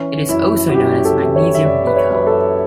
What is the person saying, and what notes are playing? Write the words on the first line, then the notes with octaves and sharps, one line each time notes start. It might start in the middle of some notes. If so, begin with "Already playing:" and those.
It is also known as magnesium mica.
Already playing: E3 C#4
F#2 E4
F#4
F#2 G4
A4
E3
C#5
E5
F#2 D5
B4
C#5
F#2 B4
A4